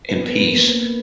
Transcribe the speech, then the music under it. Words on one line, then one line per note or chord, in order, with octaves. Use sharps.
and peace.
B3 B4
B3 B4
A#3 A#4
B4
A#3 A#4